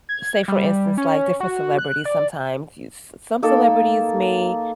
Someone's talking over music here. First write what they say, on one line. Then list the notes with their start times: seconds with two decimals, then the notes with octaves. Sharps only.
say, for instance, like, different celebrities sometimes, you s some celebrities may
0.09 G#6
0.48 G3
0.98 C#4
1.40 F#4
1.78 F#6
2.05 D5
3.42 A#3 D#4 A4